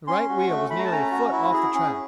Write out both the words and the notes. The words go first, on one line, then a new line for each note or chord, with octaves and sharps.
The right wheel was nearly a foot off the track.
C#4 C6
F#4
C#6
A3
A3 B5
A#5
A5
C#4 A#5
F#4
E4
G#4
C#4